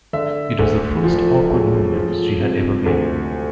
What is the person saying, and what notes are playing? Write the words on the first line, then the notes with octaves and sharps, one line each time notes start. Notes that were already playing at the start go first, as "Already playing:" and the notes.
It was the first awkward movement she had ever made.
D3 E5
D2
F3
E1
F3
C3
D2